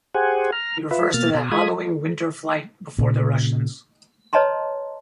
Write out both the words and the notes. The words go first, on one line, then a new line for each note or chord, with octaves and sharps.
He refers to the hallowing winter flight before the Russians.
G4 G#4 C5 F#5 G#5
A#5 F6
F4 B4 E5
B2 A#3 F6 A6
B2
G#3 F4 B5 D#6 G#6
A#2 C#3
B4 C#5 D#5 A5 A#5 C6